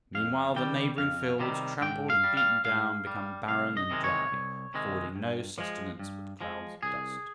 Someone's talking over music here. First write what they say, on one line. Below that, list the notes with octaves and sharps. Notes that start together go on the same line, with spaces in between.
Meanwhile the neighbouring fields, trampled and beaten down, become barren and dry, affording no sustenance but clouds of dust.
F2 F5
C3 D#3 G3 G5
F2 F5
C3 D#3 G3
G#2 G5
F5
G3
F5
G#2 F5
G3
C2 F5
D#5
C3 D#3 G#3
C#5
C2
C3 D#3 G#3
G2
F3 G#3
G2
F3 G#3
C2 G#4